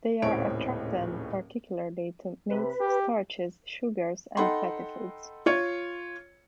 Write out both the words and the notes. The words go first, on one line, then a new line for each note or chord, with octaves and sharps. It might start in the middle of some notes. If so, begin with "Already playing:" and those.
They are attracted particularly to meats, starches, sugars, and fatty foods.
D#1 C#2 A2 C4 C#5 D7
C3 B4
G4
D#4 A4 F#5 G5 B5 C6
F4 C#5